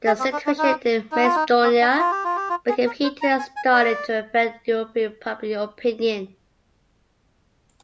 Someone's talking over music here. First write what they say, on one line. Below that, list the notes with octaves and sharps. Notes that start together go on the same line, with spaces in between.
The situation in Macedonia became heated and started to affect European public opinion.
G#4
C4
D4
D4
D#4
D#4
F4
D#4
C4
D4
F4
G4
F4
G4
F4
G#4
A#4
C5
A#5
G#5
G#5
D5